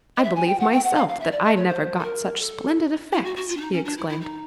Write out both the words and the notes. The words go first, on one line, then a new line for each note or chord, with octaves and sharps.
"I believe myself that I never got such splendid effects!" he exclaimed.
D#5
E5
G#5
G5
F#5
G5
F#5
F5
F5
E5
D5
D#5
C#5
C5
A4
A#4
A4
E4
F#4
F#4
F4
D4
D#4
C#4
D4
E4
E4
D#4